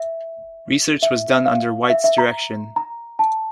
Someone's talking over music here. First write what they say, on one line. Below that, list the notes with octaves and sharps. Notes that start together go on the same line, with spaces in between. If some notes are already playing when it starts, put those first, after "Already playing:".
Research was done under White's direction.
Already playing: E5
E5
E5
F5
E5
E5
A#5
A#5
A5